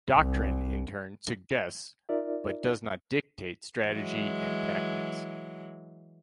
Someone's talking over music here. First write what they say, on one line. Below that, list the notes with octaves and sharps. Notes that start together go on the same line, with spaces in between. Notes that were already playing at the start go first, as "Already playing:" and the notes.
Doctrine, in turn, suggests but does not dictate strategy and tactics.
C2
D#4 F4 A#4 D5 E5
E3 F#3 G#3